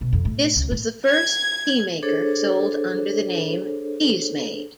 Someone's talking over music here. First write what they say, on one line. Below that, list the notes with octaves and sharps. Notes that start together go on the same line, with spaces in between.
This was the first teamaker sold under the name Teasmade.
B2
F2
A2
C#2
A2
G#6
D4 G#4 A4 C5 C#5